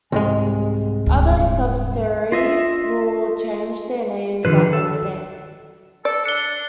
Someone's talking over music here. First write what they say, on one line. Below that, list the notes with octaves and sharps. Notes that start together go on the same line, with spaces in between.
Other subsidiaries will change their names at later dates.
C2 G#2 G#3
D#1 D2
F4 D#5 E5
D3 D#3 F3 B4
A4
A4 D5
D4 C#7 G7